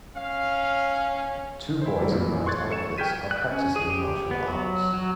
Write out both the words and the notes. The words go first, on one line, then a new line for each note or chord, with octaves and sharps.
Two boys in white outfits are practicing martial arts.
C#4 F5
E4 C5
F#3 G3 A3 E4 G4
G#1 F2 A#2 E3 E4
C6 C#6 F#6 G#6 A6
F#2 A4 C#6 C#7 E7
G5 F6 G6 G#6 B6 D#7
F#6
C#4
G#4
G4
B3
F#3
F#3